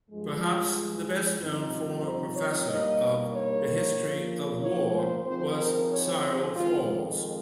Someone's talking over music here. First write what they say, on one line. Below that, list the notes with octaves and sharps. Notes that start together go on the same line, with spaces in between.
Perhaps the best known former Professor of the History of War was Cyril Falls.
G2 F3 G#3
F4
G2 F3 C4 D#4
C5
C#5
G2 G3 A#3 D#4 D#5
C#5
C#3 F3 A#3
C#5
C5
C#3 F3 C4 D#4 C5
A#4
C#5
C5
F2 D#3 G#3 F4